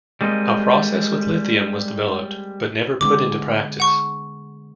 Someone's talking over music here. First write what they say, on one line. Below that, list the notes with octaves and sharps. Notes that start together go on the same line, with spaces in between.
A process with lithium was developed, but never put into practice.
G3 G#3 A#3 C4 D#4
D3 G#3 B3 D6
F#5 C#6